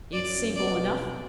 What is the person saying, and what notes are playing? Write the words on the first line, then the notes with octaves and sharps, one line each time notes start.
It's simple enough.
F#2 D5
B2 D5